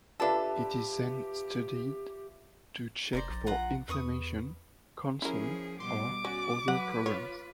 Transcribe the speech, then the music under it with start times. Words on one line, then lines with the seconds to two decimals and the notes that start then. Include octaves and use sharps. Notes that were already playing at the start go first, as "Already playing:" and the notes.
It is then studied to check for inflammation, cancer, or other problems.
0.20 D4 F4 G4 A4 B4 E5
3.13 F1 C5 D5 A#5
3.29 A#1
3.46 F4 F#5 A#5
3.89 E2 B4 C#6 D#6
5.22 F3 C#4 E4 G#4 A#4
5.80 B2 G3 C6 D6
6.25 C#4 F#4 D5
6.68 F#3 B4 F#5
7.06 F4 C#5